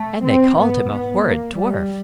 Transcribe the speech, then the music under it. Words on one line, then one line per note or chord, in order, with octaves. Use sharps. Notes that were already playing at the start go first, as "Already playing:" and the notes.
And they called him a horrid dwarf!
Already playing: A3
C4
G#2 B3
B3
A#3
G3